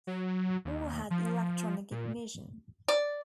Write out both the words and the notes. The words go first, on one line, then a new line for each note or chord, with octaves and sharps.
All had electronic ignition.
F#3
D#2
F3
A#2
D5